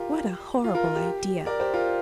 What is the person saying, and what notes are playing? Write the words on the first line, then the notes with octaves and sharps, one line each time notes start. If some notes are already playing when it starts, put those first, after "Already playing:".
What a horrible idea!
Already playing: F4 G4 A#4
F4
F4 A#4
F4
G4
G4
A#4 D5
G4 C5
F4 A#4